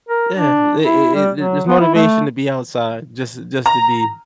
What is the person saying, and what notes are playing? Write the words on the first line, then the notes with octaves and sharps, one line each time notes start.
Yeah, it it it there's motivation to be outside just just to be
A#4
D4
E4
G3
F#3
B3
E4
A3
A#5